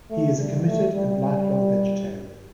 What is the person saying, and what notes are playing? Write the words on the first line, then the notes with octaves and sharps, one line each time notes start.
He is a committed and lifelong vegetarian.
A3
G3
A3
G3
G3